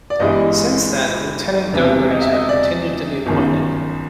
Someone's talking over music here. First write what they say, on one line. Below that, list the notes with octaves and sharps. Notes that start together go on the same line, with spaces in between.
Since then Lieutenant Governors have continued to be appointed.
D5
G1 G2 E3 G#3 D#5
E1 E2 C3
D#5
E5
D#5
D5
G1 F#2 D#3